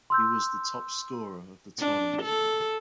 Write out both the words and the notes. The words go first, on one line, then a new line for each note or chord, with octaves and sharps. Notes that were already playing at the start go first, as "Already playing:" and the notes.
He was the top scorer of the tournament.
C6 E6 G6
D4
A4